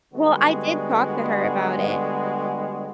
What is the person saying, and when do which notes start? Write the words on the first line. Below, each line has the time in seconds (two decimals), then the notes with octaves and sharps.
Well, I did talk to her about it,
0.14 D3 G3 G#3 B3 F#4